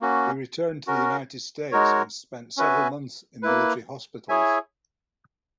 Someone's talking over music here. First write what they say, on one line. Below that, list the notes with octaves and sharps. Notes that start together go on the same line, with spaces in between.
He returned to the United States and spent several months in military hospitals.
A#3 C#4 F#4
C#4 F#4 A#4
G#3 D#4 F#4 A#4 C#5
C#4 F#4 B4 E5 G#5
A#3 E4 B4
E4 G#4 C#5 E5 G#5